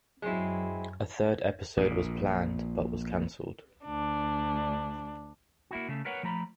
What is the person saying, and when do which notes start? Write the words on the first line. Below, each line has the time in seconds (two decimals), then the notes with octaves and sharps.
A third episode was planned, but was canceled.
0.22 F#2 F#3 G#3 C4 E4
1.77 A#1 A#2
3.85 D2 D4
5.71 A#3 E4 F#4
5.88 C#3 A3
6.05 A#4 B4 C#5 F#5
6.23 F3 A3 A#5 B5